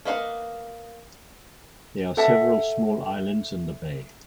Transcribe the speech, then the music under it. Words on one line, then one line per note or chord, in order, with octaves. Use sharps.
There are several small islands in the bay.
A#3 B4 D#5 F5 F#5
A4 E5 F#5